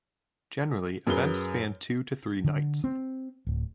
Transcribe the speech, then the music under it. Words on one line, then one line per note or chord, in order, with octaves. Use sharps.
Generally, events span two to three nights.
F#2 G#4 A#4 B4 G7
D3
C4
D1